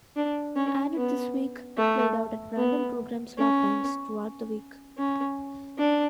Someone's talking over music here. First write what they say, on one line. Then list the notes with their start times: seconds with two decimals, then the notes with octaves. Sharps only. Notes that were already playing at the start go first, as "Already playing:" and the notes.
"Added This Week" played out at random programme slot times throughout the week.
0.16 D4
0.56 C#4
0.97 B3
1.77 A3
2.57 B3
3.38 C#4
4.98 C#4
5.78 D4